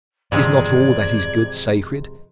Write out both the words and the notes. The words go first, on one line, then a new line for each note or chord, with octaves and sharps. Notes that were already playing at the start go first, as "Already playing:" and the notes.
Is not all that is good sacred?
F2 G#2 C3 D#3 E3 G#3 D5 G#6